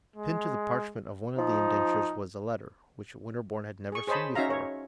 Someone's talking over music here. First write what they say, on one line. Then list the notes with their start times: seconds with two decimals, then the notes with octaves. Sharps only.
Pinned to the parchment of one of the indentures was a letter, which Winterborne had never seen before.
0.16 G#3
1.38 F3 D#4
3.92 G#4 C#6
4.08 G#4 C5 C#5 D#5 A5 B5
4.35 C#4 D#4 F#4 E5 F5 A#5
4.50 C#5